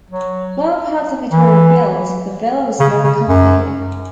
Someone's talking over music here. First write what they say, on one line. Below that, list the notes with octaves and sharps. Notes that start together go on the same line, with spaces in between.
While parts of it were rebuilt, the villa was never completed.
F#3
E3
C#3
C#3
F#2